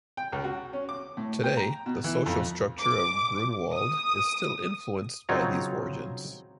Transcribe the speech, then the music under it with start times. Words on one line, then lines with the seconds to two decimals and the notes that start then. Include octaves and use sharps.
Today, the social structure of Grunewald is still influenced by these origins.
0.17 G5
0.32 C#2
0.44 F#4
0.73 C#4
0.89 D6
1.17 A2
1.43 G5
1.57 A#5
1.86 B2
2.04 E3
2.26 F2
2.79 D6
3.73 D#6
5.29 C#3 F#3 C4 D#4 F4 C#5